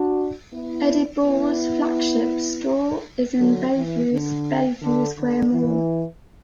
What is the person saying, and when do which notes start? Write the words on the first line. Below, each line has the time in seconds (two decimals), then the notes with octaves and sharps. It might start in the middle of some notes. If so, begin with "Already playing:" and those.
Eddie Bauer's flagship store is in Bellevue's Bellevue Square mall.
Already playing: D4 F#4
0.52 B3 E4
1.24 B3 E4
3.38 D3 F#3
3.74 E3
4.11 D3
4.82 D3
5.18 D3
5.53 E3